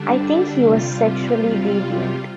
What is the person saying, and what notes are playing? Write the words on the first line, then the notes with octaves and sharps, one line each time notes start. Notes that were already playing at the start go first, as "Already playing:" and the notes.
I think he was sexually deviant.
Already playing: D3 G3 D4
C3 G3 F4
C3 G3 F4